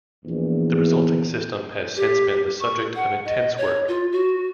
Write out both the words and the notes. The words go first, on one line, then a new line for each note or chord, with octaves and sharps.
The resulting system has since been the subject of intense work.
A#1 E2
G4
C#6
F#5
D#5
C#5
F4
F#4